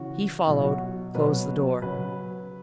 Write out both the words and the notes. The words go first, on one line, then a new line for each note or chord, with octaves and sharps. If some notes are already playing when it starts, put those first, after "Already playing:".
He followed, closed the door.
Already playing: C#3 E3 F#4
B2 F#3 E4
F#4
B2 F#3 B4
C#3 F#3 B4